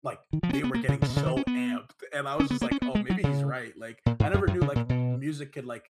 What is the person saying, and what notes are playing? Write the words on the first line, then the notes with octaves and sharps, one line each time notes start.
like they were getting so amped and I was just like, "Oh maybe he's right," like I never knew like music could like
D#3
F3
B3
C#4
B3
A#3
C#3
C#3
B2
C#3
D#3
C#4
B3
C#4
B3
A#3
C#4
B3
G#3
F#3
C#3
A#2
G#2
F#2
F#2
C#3
A#2
B2